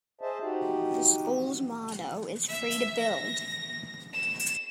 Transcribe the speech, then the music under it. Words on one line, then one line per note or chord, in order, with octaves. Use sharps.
The school's motto is 'Free to Build'.
G#4 C5 D#5 E5 A5
D#4 F#4 G4
E5
A#6
E7